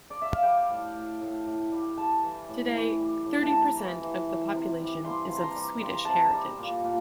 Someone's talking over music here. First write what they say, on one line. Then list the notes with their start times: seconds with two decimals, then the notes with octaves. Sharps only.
Today, thirty percent of the population is of Swedish heritage.
0.10 D5
0.22 E5
0.32 F5
0.43 G3 G5
0.70 A2
0.95 A2
1.21 A2
1.46 A2
1.72 G3
1.97 G3 A5
2.22 E3
2.49 A2
2.74 E3
3.00 G3
3.25 A2
3.43 A5
3.51 C3 A#5
3.77 E3
4.02 E3
4.28 E3
4.54 C3
4.79 G3
5.05 G3 C6
5.25 C6
5.31 C3
5.38 A#5 C6
5.56 G3
5.82 G3 C6
5.94 A#5
6.05 C3 A5
6.17 A#5
6.33 G3
6.58 A#2
6.84 A#2